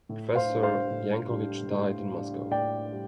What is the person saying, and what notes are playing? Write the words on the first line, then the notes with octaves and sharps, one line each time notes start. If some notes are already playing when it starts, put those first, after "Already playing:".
Professor Yankelevich died in Moscow.
A2
C5 F5
D4
G3
C5 F5
A2
G3 D4
A2
G3 D4
A2 D5 G5
G3